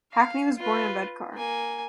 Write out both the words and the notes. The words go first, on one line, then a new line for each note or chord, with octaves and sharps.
Hackney was born in Redcar.
F5
F4 B4
A#3 G#5